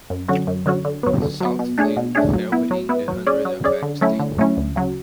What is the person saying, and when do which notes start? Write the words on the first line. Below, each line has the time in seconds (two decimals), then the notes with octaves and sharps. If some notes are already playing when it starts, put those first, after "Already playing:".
Southfleet fell within the Hundred of Axstane.
0.10 F#2
0.28 D3 F#3 C#4 F#4
0.47 F#2
0.66 D3 F#3 C#4 F#4
0.85 D3
1.03 F#3 B3
1.22 D3
1.41 F#3 B3
1.59 B2
1.78 A3 D4 G#4 C#5
1.97 B2
2.15 A3 D4 G#4 C#5
2.33 F#3
2.52 B3 E4
2.71 F#3
2.89 B3 E4
3.08 F#3
3.27 C#4 G#4 D5
3.45 F#3
3.64 C#4 G#4 D5
3.82 D3
4.01 F#3 A3 C#4 E4
4.20 D3
4.39 F#3 A3 C#4 E4
4.57 D2
4.76 C#3 F#3